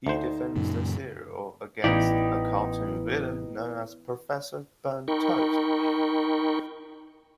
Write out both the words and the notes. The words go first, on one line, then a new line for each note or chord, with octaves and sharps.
He defends the cereal against a cartoon villain known as Professor Burnt Toast.
D2 D#4 C5
F#2 A#2 C#3
A1 B3 D#4 E4 G4 D5 F5
D#4 A#4 G5 B5 C#6